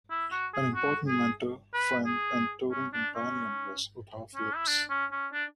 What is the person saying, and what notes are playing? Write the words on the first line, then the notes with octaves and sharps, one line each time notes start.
An important mentor, friend and touring companion was Utah Phillips.
E4
F#4
G#4
F#4
G#4
B4
G#4
C#4
D4
C#4
C#4
E4
D4
C#4
C#4
D4